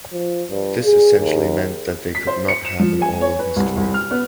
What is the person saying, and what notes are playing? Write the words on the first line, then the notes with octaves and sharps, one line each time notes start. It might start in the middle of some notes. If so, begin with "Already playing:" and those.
This essentially meant that they could not have an oral history.
F3
G2
G#4
D#2
B6
C5
C#7
E7
F3
G#5
C#5
B4
C2
C2
F6
B3